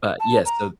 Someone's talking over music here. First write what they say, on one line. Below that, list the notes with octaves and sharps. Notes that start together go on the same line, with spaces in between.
but yeah, so
A5
A#5